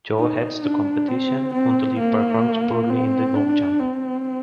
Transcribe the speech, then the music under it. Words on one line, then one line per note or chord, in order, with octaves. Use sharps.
Joe heads the competition until he performs poorly in the long jump.
D#4
D4
C4
C4
A#3
C4
D4
C4